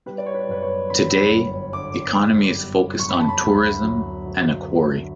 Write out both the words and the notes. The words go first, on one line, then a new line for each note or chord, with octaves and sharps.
Today, economy is focused on tourism, and a quarry.
G3 B4
D5
C#5
B4
F#2 B4
C#5
D3 B5
G1
D3 D6
F#2
G3
F#2 C#6
B5
A5
B5
D2
F#3
D2
D3